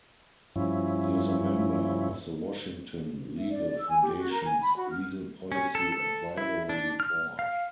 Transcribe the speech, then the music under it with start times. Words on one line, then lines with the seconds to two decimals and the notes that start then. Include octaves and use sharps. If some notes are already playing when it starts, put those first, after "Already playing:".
He is a member of the Washington Legal Foundation's Legal Policy Advisory Board.
0.56 G2 F3 C#4 E4
3.37 E5
3.50 D5
3.64 D5
3.76 E6
3.89 G#5
4.02 G4
4.17 F#4
4.31 A#4
4.44 G#5
4.63 B5
4.76 F#4
4.90 F6
5.52 C#4
5.75 A4
5.92 A4
6.37 E4
6.69 D4
7.00 F6
7.39 F5